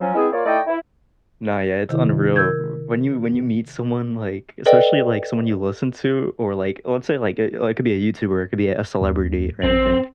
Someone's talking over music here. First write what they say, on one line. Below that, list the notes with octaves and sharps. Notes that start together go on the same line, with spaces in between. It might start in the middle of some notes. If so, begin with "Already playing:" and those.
Nah, yeah, it's unreal, w when you when you meet someone, like especially, like, someone you listen to, or, like, let's say, like, eh, like could be a YouTuber, it could be a celebrity or anything.
F3 F#3 C#4
G#3 B3 C4 E4 G#4
A#3 F4 C#5 D5
A3 D#4 E4 D5 D#5 G5
E4
C3 D#3 E4
A#4 E6 G6 G#6
A4 B4 D5 D#5 G5
D#2
A1 C4